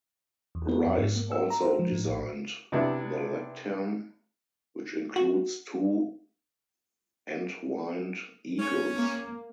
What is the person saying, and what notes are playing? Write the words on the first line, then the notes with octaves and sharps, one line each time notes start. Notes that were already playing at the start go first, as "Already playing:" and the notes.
Rice also designed the lectern, which includes two entwined eagles.
E2
B3
F2
G#2
A#3
E6
A#5
C5
F3
A2
A#1
C3 B3 D4 E4
F#4
C#4
A#3